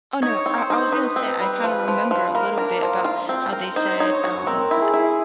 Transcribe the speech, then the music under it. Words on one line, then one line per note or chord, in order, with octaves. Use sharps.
Oh, no, I I was gonna say I kinda remember a little bit about how they said, um, th
D#4 C#5
C4
C5
D#4
D#4 B4
C4
G3
F3
F3
F3
A#3 A#4
D4 A#4
F3
F4
C4
A#4
D#4 C5
D#4 C#5
F#4 C#5
C4 A#4
E4
G#4
E4